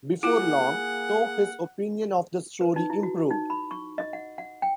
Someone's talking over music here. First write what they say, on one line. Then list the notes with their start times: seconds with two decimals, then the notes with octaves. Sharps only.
Before long, though, his opinion of the story improved.
0.23 A#3 E4 F4 G#4 F#5
2.61 B4
2.76 D#4
2.90 E4
3.03 F#4
3.30 D#4
3.50 B5
3.71 C#6
3.98 D#5
4.13 F#5
4.38 F#5
4.62 G5